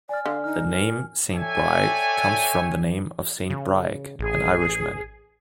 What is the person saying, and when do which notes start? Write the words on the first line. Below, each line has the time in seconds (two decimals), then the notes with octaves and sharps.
The name Saint Briac comes from the name of Saint Briac, an Irishman.
0.09 D5 G#5 F6
0.26 D3 F5
0.44 D#4 F6
0.68 A#4
1.35 A4 C#5 D5 E5 G5 G#5
3.50 C#3
4.19 A1 G#4